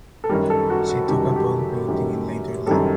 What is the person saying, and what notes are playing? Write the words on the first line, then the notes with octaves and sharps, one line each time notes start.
She took up oil painting in later life.
A4
F#2 D#3 G3 A#4
A4
F#4
F#4
F#2 D#3 G3 G4
F#4
G4
F#2 D#3 G3
F#2 D#3 G3 A4